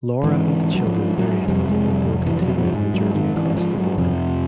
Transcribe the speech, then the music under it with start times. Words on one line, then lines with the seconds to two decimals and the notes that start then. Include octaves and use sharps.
Laura and the children bury him before continuing the journey across the border.
0.23 G#2 E3
0.75 F#3
0.87 F3
1.18 F#3
1.48 F2 C3 G3
1.69 G#3
1.91 G3
2.22 F3
2.26 E3
2.42 F#3
2.58 F3
2.74 G#2
2.94 F#3
3.15 D#3
3.36 E3
3.57 F3
3.77 F#3
3.98 F2 C3 F3